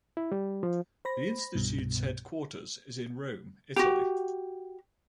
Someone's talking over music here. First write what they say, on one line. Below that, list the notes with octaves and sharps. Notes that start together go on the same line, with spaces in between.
The Institutes headquarters is in Rome, Italy.
E4
G3
F3
C5 B5 A#6
C2 G2 B2
F#4 G4